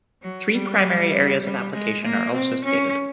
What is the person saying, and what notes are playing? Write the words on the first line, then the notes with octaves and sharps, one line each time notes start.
Three primary areas of application are also stated.
F#3
G3
G3
G#3
A#3
C4
C#4